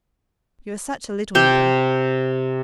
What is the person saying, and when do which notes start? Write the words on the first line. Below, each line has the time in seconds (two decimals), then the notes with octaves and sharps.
You are such a little nipper.
1.35 C3 G5 C6